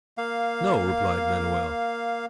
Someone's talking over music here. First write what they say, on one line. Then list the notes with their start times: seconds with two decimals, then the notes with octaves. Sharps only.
"No!" replied Manoel.
0.18 A#3 F5